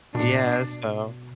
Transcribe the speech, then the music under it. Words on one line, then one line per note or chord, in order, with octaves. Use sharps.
Yeah, so
B2 D4
A2
B2